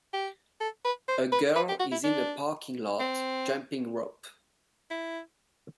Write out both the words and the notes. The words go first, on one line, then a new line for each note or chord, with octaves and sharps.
A girl is in a parking lot jumping rope.
G4
A4
B4
C5
B4
B4
G4
F#4
E4
D4
C4
E4